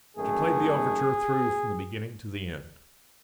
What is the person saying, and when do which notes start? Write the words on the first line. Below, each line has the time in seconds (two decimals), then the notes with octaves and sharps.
She played the overture through from the beginning to the end.
0.17 G#1 F#2 D#3 A3 G#4